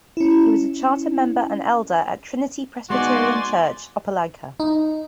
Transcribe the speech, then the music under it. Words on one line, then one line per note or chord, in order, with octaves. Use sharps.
He was a charter member and elder at Trinity Presbyterian Church, Opelika.
C#4 E4
G#3 B3 D#4 F#4 D5 G#5 C6
D#4